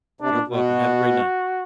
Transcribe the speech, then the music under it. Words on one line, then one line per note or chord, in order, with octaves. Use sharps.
you're welcome, have a great night.
C3 D4
B2
B2
F#4